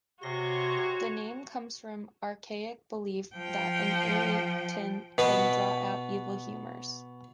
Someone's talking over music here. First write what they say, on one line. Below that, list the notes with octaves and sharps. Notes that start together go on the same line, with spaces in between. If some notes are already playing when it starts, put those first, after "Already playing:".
The name comes from archaic belief that an irritant can "draw out" evil humors.
C3 F#4 C#5 C6 A#6
F3 G5
B2 B3